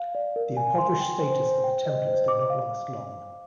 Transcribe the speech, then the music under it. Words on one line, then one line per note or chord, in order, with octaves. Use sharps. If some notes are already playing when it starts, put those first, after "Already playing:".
The impoverished status of the Templars did not last long.
Already playing: F5
D5
A#4
G#5
C6
G5
C5
C5
G5
D#5
C5
D6
F5